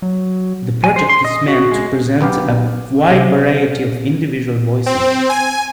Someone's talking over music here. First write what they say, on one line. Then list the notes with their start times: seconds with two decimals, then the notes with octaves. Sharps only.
The project is meant to present a wide variety of individual voices.
0.02 F#3
0.84 G#5
0.96 C5
1.09 C6
1.25 D#5
1.48 F#4
1.71 G#3
2.21 B1 B3 G4 F5
3.10 C3
4.86 C4
5.29 G#5